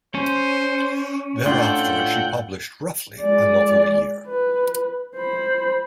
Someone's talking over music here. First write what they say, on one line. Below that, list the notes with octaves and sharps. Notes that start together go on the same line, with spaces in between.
Thereafter, she published roughly a novel a year.
C#4 C5
A2 D4 F4 A4 F#5 G5
G#3 D5
B4
C5 B5